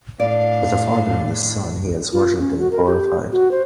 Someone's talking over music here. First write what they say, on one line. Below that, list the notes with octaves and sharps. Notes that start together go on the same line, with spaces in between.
With the Father and the Son he is worshipped and glorified.
A2 D4 D5 F5
F4
C#4
F#4
A#4
G4
F#4
C5